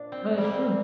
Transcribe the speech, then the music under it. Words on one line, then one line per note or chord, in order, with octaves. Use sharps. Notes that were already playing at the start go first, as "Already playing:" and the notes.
No, that's true.
Already playing: A#2 D4 C5
C4
A#2 G3
A#3
C4